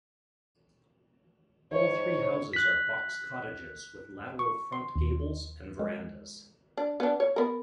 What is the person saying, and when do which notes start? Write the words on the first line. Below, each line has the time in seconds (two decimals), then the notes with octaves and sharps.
All three houses are box cottages, with lateral front gables and verandahs.
1.72 G#2 C#5
2.53 F#6 B6
4.39 C#6
4.72 C6
4.95 D#2
5.79 G#3
6.77 D4
7.00 B3 D4
7.20 C#5
7.36 B3 A#4